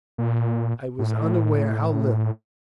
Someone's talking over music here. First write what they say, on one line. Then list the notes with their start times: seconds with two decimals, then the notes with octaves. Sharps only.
I was unaware how little.
0.18 A#2
0.99 A2